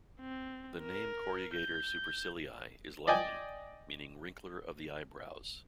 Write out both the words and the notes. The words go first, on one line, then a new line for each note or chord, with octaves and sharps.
The name "corrugator supercilii" is Latin, meaning "wrinkler of the eyebrows".
C4
A#4
G6
D5 D#5 G5 G#5